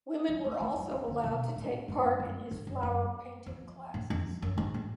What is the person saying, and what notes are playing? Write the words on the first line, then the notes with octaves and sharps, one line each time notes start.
Women were also allowed to take part in his flower painting classes.
F#3
A3
A3
F#3
F3
D3
B2
A2
G#2
F#2
F#2
G#2
F#2
F#2
F2
A2
F2
F#2
G#2
A2